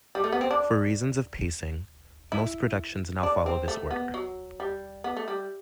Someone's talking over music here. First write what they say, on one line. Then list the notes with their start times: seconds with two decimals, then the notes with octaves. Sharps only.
For reasons of pacing, most productions now follow this order.
0.15 G3
0.24 A3
0.32 B3
0.41 C4
0.51 D4
2.32 E4
3.23 D4
3.46 C4
3.68 A3
3.91 B3
4.14 F#3
4.60 G3
5.04 B3
5.17 A3
5.28 G3